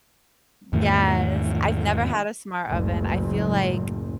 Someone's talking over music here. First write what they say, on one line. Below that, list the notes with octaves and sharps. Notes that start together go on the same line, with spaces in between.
Yes, I've never had a smart oven. I feel like
E2 G#2 D#3 A3
F#1 C#2 A2